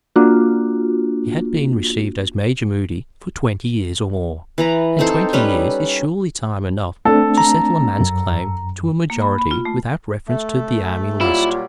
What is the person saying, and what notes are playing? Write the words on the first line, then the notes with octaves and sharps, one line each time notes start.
He had been received as Major Moody for twenty years or more, and twenty years is surely time enough to settle a man's claim to a majority without reference to the Army List.
A#3 D4 F4 F#4
E3 B4 A#5
C4 D#4 A4 C5
G3 C#4 B4
A3 C4 D4 A4
A#5
F#2
A#3
B5
B5
F4
A3
A3
A#2 F#3 G3 E4 F4